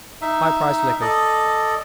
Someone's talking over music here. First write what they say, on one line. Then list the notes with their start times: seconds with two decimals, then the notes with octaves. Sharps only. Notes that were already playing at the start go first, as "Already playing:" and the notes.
High-priced liquors.
0.21 D#4 E5
1.01 A4 D5 D#5